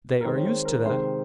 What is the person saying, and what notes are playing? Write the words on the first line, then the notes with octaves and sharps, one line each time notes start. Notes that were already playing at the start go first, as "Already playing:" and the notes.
"They are used to that."
A#4
D#3 G#3 C4 C5
C#5
C5
A#4
C3 D#3 G#3 C4 C5